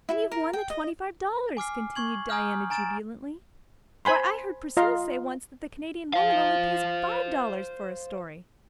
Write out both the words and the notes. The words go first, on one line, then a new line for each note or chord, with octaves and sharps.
"And you've won the twenty-five dollars," continued Diana jubilantly. "Why, I heard Priscilla say once that the Canadian Woman only pays five dollars for a story!"
E4
A#4
G5
D#5
G#5 D6 F6 C7
C#6 G#6 F#7
G#5 A#5 D#6 F6 G6
G#5 A#5 A6 D7 E7
C5 G#5 B5 C6
F4 D#5 F5 A#5 C6
C5 F5